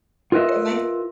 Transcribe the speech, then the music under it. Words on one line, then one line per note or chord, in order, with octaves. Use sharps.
That makes
F4 A#4 B4 D#5 E5